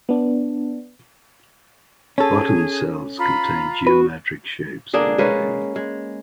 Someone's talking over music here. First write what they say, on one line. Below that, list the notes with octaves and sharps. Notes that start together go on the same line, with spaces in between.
Bottom cells contain geometric shapes only.
B3 D4
C#4 G#4 A4
F4 A#5 B5
F#4 B4
D3 A#3 D4 G#4
G#3 A#3 C#4 B4
G#3